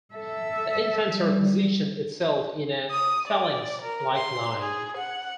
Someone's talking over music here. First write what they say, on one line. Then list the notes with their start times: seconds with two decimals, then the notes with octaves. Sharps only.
The infantry positioned itself in a phalanx-like line.
0.15 A4 E5
1.13 G3
2.91 D#6
3.28 D5
3.82 A#4
4.16 C6
4.60 G#4
4.97 F#5